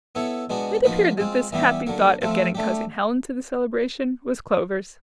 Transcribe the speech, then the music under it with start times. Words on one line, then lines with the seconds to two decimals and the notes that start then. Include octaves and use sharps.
It appeared that this happy thought of getting Cousin Helen to the "Celebration," was Clover's.
0.15 B3 E4 A4 C#5
0.49 B2 G#3 B3 D4 F#4
0.84 F3 A#3 D#4 F#4 B4
1.17 G#3 C4 F4
1.52 E3 G3 B3 E4 G4
1.86 D3 F#3 A#3
2.21 F3 A3 C4 F4
2.55 A3 D4 G4